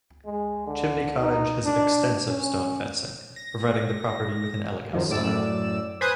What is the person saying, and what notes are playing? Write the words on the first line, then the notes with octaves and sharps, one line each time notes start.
Chimney Cottage has extensive stone fencing providing the property with an elegant style.
G#3
D3
D#4
D4
C#4
A#6
F#2 D#3 F3
F#2 A2 D5 E6
B4 C5 G#5 D#6 F#6 G#6